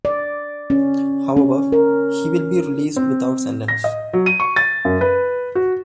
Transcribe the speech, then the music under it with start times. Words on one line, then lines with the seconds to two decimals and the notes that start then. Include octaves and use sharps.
However, he will be released without sentence.
0.05 D5
0.70 C#4
1.37 C#4
1.72 A#4
2.96 C4
3.68 A#6
3.84 D#5
4.13 F#3
4.26 D#7
4.40 C#6
4.56 A6
4.85 F#2
5.01 B4
5.55 F#4